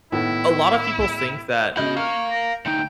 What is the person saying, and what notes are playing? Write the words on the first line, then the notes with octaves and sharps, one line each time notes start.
a lot of people think that
A2 D#3 B3 E4
C#3 F#4 D#5 B5 G6
C#5 F5 A#5 F6
A#4
D2 D#4 G5